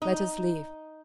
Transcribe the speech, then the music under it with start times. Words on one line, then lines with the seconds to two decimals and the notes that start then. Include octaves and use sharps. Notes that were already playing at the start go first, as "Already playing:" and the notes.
Let us live.
0.02 D#4